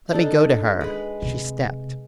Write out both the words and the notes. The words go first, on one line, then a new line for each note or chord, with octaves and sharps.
"Let me go to her." She stepped.
D4 D#4 A4
G#3 B4
C3